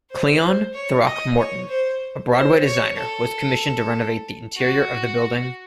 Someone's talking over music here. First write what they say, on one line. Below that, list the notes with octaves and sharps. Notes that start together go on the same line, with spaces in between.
Cleon Throckmorten, a Broadway designer, was commissioned to renovate the interior of the building.
C5
C5
C#5
D#5
C#5
C5
C5
C#5
A4
F#4